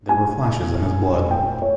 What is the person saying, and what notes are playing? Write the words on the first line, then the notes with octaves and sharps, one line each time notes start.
There were flashes in his blood.
G#5
G5
C#5